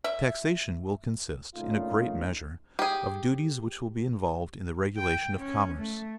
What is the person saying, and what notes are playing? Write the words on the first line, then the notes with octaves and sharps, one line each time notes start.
Taxation will consist, in a great measure, of duties which will be involved in the regulation of commerce.
E5
A#2 C#3 A3 D4 D#4 F4
G4 G#4
G5
C#4
A3